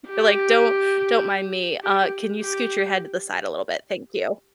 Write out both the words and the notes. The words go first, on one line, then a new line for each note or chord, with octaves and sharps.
You're like, "Don't don't mind me. Uh, can you scoot your head to the side a little bit? Thank you."
G4
G4
G4